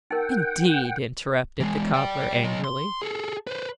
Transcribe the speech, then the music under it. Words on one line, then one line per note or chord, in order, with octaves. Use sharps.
'Indeed!' interrupted the cobbler angrily.
D#4 A#4 F#5 G5
E3 G#3
D5 G5
F#3 D#5
C6
G#4 A4
B4 C5